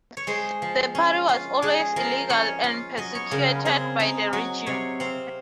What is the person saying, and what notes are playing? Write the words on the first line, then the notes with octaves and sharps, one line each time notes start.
The party was always illegal and persecuted by the regime.
C#5
G#3 C5
F3
C#4
F4
G#3 G#4
F3 A#4
C#4 C#5
F4
F#3 D#5
C#5
C#3 A#4
C4 G#4
D#4
F#3 F#4
C3 C#5
C4 F5